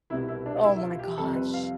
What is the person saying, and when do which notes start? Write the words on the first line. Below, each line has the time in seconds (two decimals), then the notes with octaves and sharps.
Oh my gosh.
0.10 C2 B2 B3 E4
0.28 E4
0.46 D4
0.64 E4
0.76 E4
0.82 F4
0.99 G4
1.17 F2 C3 G3 A4
1.35 B4
1.54 F5